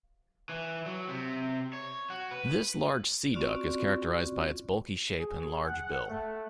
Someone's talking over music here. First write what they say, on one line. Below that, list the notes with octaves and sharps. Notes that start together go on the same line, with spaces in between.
This large sea duck is characterised by its bulky shape and large bill.
E3
F#3
C3
C#5
F#4
B4
C4 C#4 F4 F#4 D5
G#4
F#5
A3